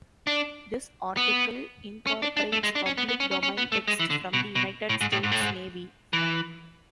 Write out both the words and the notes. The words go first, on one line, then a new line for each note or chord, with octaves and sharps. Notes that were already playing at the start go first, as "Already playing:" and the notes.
This article incorporates public domain text from the United States Navy.
D4
B3
C#4
D4
D4
A3
G#3
D4
C#4
B3
B3
C#4
C#4
C#4
B3
A3
G#3
E3
D3
B2
B2
A2
G#2
A2
G#2
A2
G#2
E3